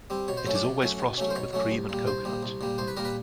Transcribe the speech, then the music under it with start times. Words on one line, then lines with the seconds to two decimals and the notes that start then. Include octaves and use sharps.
It is always frosted with cream and coconut.
0.10 G3 C4
0.28 B2 C#5
0.37 C5
0.46 F#3 A3 C#4
0.55 D5
0.64 B2
0.82 F#3 A3 C#4
1.00 B2
1.18 F#3 A3 C#4
1.30 C5
1.35 B2 C#5
1.53 F#3 A3 C#4
1.71 C2
1.89 A#2 G3
2.07 C2 C5
2.25 A#2 G3
2.43 C2
2.61 A#2 G3
2.78 C2 C5
2.88 B4
2.97 A#2 G3 A#4
3.05 B4